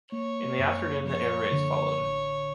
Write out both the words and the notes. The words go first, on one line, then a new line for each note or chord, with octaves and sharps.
In the afternoon the air raids followed.
A#3 C#5
F#2
F3 C#5
D3
A1